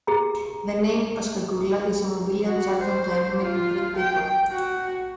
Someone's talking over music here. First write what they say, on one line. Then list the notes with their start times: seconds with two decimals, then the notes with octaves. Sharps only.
The name "Pascagoula" is a Mobilian Jargon term meaning "bread people".
0.07 F4 G4 G#4 A#5
2.45 F#4
2.81 C5
3.42 F4
3.95 G5
4.50 F#4